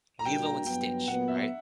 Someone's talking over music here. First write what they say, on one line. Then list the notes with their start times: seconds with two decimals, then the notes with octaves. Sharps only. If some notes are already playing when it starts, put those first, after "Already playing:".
Lilo and Stitch, right?
0.19 A#5
0.25 A#2 G3 A#3 D4 F#4 G5
0.45 A#5
0.67 G2 F#3 B3 G5
1.08 A#2 F#3 B3 F#5
1.28 E5